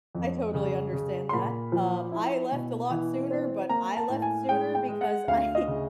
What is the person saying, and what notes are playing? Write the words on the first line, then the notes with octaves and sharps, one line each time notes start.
I totally understand that. Um, I left a lot sooner, but I left sooner because I
F2
C#3
C#3
C6
A#2 B5
F3
E4
B2
E3
C4
A#3 A#5
A5
A2
G#5
G#3 G5
G5
G#3
F#5
D2 F5
D#5
C#3